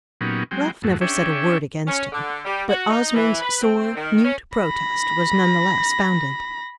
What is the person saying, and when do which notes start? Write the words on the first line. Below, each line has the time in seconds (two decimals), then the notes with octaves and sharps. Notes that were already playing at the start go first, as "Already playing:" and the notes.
Ralph never said a word against him, but Osmond's sore, mute protest was none the less founded.
0.21 A#2 F#3 B3 C#4 D#4 G4
0.51 F#3 G#3 C4 G5
0.83 F2 G#2 F#3 A3
1.01 C#4 D4 G#4 C#5 E5 G5
1.88 C#4
2.13 D3
2.45 G3
2.69 F#4
2.90 D#4
3.14 E3
3.41 B4
3.62 C4
3.96 D#3
4.24 C#4
4.58 B5 A#6